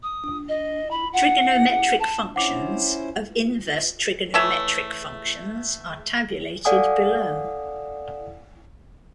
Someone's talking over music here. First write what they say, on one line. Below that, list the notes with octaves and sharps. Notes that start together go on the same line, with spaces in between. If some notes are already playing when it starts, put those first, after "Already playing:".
Trigonometric functions of inverse trigonometric functions are tabulated below.
D#6
D#5
B5
F#5
A5
C#4 E4 C5 F#5 D6 F7
E3 A3 C#5 E5
A4 D5 F5 F#5 G#5 D#6